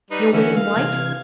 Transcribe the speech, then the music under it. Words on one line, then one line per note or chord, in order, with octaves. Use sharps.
"You're William White?"
G3 D#4 B4
D3 E3 C#4 E4 F#4
F5
C3 E3 G#6